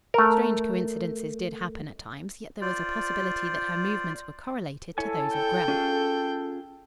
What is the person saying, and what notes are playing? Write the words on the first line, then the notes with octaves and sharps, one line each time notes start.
Strange coincidences did happen at times, yet there was a possibility that her movements were correlated to those of Grell.
A3 A#4
F4 C5 D5
E4 A4 C#5 G#5
G5
C#4 F4 G#4